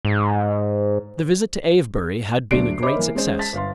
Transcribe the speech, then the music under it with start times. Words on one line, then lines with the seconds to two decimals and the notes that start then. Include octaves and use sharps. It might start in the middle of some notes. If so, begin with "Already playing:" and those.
The visit to Avebury had been a great success.
0.05 G#2
2.51 D2 F#3 D4 D5 C7 D7
2.82 C5 C#5 D#5 E5 B5 D6
2.95 E3 A#3
3.15 G#3 C#4 C5
3.39 A5 A6 B6
3.53 G1 F5 C6